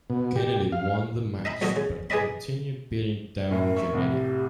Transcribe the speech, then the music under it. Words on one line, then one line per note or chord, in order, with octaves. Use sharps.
Kennedy won the match, but continued beating down Jannetty.
B2
G4
F5
D#5 E5 A#5 B5
B1 A#2 D#4 F#4 A4 D#5
C#3
D#4 G#4 B4 D5 D#5 B5
D5
F#2 A2 A#4
E5 C#6
C2 A2 C3
G4